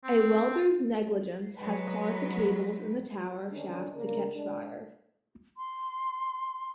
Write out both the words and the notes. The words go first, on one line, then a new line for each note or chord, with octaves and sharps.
A welder's negligence had caused the cables in the tower shaft to catch fire.
C4
F#3 G#3 B4
D3 D#3 C#4 D4
C#3 A#3 D4 A#4
G#3 D4
C6